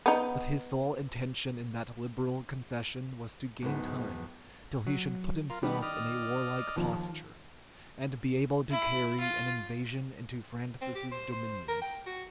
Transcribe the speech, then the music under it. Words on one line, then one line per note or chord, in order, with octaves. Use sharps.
But his sole intention in that liberal concession was to gain time till he should put himself in a warlike posture, and be able to carry an invasion into Francis's dominions.
B3 D#4
D1 G#2 B3
F#3
F4 A#4
D#3 G3 B3
D5 D#5 F6
D#2 F3
E4
F4
C4
G4
C5
C5
A#4
G5
F#4